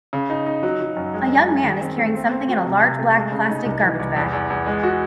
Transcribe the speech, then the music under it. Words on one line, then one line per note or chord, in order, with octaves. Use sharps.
A young man is carrying something in a large black plastic garbage bag.
C#3
D#4
D#4
F#3
F#3
F#2
G#3
G#3
G#3
D#3
C4
A3
C4
C4
F#4
C3
C3
A3
G#3
C#3
D#4
C2
E3
C2
E2
E2
E2
G#3
F#4